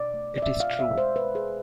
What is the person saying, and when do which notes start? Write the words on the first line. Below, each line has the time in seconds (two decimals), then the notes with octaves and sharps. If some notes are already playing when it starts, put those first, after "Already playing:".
It is true.
Already playing: B2 D5
0.14 A3
0.38 D5
0.42 C4 E5
0.60 F5
0.70 B2
0.79 E5
0.98 G#3 C5
1.16 B4
1.25 G#3
1.35 G#4